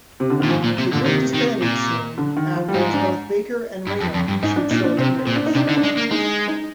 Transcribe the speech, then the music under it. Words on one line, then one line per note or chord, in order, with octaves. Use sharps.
The group disbanded soon after as both Baker and Rayner pursued solo careers.
C3
D3
A#2 D#3
G#2 F3
A#2
C3
A#2 D3
C3 D#3
D#3
A#2
D3
D#3
F3
G3
G#2 F3
D4
G2
F2
F2
G2
G#2 D#4
D4
A#2 D#4
D4
C3 C4
C4
A#2
D4
D#4
C3 D4
D3 D#4
D4
G#3
A#3
G#3 D#4
D#4